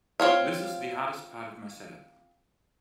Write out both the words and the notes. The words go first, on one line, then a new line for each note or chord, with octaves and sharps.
This is the hardest part of my setup.
C4 F4 C#5 F5